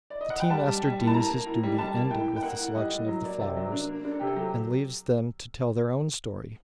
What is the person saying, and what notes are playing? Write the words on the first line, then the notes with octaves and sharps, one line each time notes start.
The tea-master deems his duty ended with the selection of the flowers, and leaves them to tell their own story.
D5
D#5
F#5
G5
G3 A5
G3
G3
A2
A5
A#3 A#5
A#3
A2
G3
G3 A5
A#3
A2 G5
A#3
G5
A#3 F#5
A2
G3 D#5
A2
F#3
A#3 D5
C3 D5
F#3 D5
D4 A#4
A#3
D4 A#4
A4
C3 G4
A4
F#3 G4